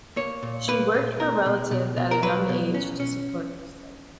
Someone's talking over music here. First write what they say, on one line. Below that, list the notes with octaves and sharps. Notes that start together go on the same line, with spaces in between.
She worked for relatives at a young age to support her studies.
A#3 C#5
A#2
A#3 B4
A#2
B2 A#4
B2
B2
B2
A#4
F#3 B4
B2
C#4
C#4